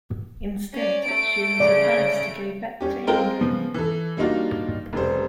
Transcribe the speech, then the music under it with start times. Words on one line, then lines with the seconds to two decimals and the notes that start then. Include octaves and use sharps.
Instead, she was advised to go back to England.
0.74 C#4 D5
1.04 A3 D7
1.60 C#3 D5
2.81 G3 C#4 G4
3.07 G#3 C4 F4 A#4 G5 G7
3.39 C#3 F3 B3
3.74 E3 A4
4.17 G3 A#3 D4 D#4 F4 F#4
4.93 F1 C#3 G3 C5